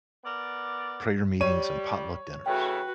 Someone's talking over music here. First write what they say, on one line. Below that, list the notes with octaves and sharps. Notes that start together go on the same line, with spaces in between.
prayer meetings and potluck dinners.
B3 A#4 D5
G3 C#5 D#7
C#3 E3 A3 F#4 B4 G5